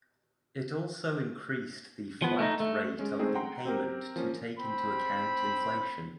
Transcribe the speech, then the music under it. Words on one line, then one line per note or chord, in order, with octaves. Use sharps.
It also increased the flat rate of the payment to take into account inflation.
F3 B3
A3 C#4 D#4
A3
G#3 C#4
G#3 A3 C4 D#4 G#4
F#5 G5 A#5 C6
C4 G4 A#4
F3 A#3 C#4
C4 B5